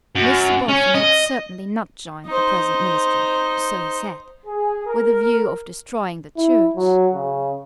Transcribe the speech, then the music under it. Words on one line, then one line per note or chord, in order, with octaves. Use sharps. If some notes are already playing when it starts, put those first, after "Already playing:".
Mr. Boffin had certainly not joined the present Ministry,--so he said,--with the view of destroying the Church.
F#2
C#4
D#5
D#4 C5
G#4
A#4
E4
F#3
C#3